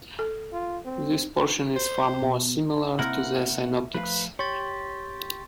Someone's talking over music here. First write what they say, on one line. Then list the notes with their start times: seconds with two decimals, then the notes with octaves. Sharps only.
This portion is far more similar to the synoptics.
0.19 A4
0.53 F4
0.85 C4
1.76 C5
2.22 B2
2.99 C3 A#3 C4 E4 A#4 F#5
3.94 F3 A3 B4 F5
4.39 G4 C#5 C6 C#6 A6